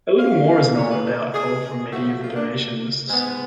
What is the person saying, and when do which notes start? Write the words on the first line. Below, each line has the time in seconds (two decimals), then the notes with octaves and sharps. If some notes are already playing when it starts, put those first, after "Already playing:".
A little more is known about Kol from medieval donation lists.
0.17 F5
0.76 A2 G#3 B3 C#5
0.90 B4
1.05 A4
1.33 G#4
1.91 F#2 F3 A3 F#4
2.06 F#4
2.24 F4
2.35 D4
3.07 G#2 G#3 B3